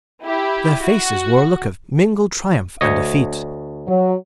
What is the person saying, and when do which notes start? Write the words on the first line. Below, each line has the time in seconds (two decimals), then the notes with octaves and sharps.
Their faces wore a look of mingled triumph and defeat.
0.23 E4 G4
0.86 F#4
2.81 D2 C#5 D#5
3.87 F#3